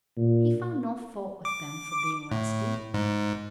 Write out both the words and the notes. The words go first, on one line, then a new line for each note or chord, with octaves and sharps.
He found no fault with them for being rusty.
A#2
D6
A2
G#2